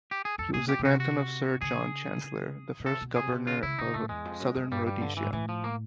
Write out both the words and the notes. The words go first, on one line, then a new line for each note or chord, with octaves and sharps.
He was the grandson of Sir John Chancellor, the first Governor of Southern Rhodesia.
G4
G#4
F2 A4
A#2 G#4
B2 G4
B2
C3 F#4
F#4
C#3 G#4
B2
C3 A4
B2
C3 G#4
B2
C3
C#3 F4
C#3 E4
C#3 D#4
A2 A3
E2 G#3
F2
F#2
F#2
G2 G3
G3
D3
E3
G#2
A2 E3
F3
A#3